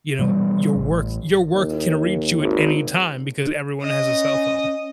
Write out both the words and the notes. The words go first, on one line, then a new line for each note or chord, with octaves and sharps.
you know, your work your work can reach you at any time because everyone has a cell phone.
B2 E3 G3 B3
A1
D#2
G#1
C#4 D#5